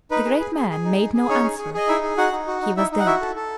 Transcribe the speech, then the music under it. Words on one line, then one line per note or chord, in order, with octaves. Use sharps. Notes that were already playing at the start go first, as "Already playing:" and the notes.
The great man made no answer; he was dead.
D#4 B4
G#4
G#4
G#4
G#4
D#4
G#4
G#4
C#4 D#4 C#5
G#4
G#4
G#4 D#5
D#4 E4 E5
G#4
D#4 F#4 F#5
D#4
F#4
D#4
D#4 E4 E5
D#4
F#5
E4 F#4 E5
A4
A4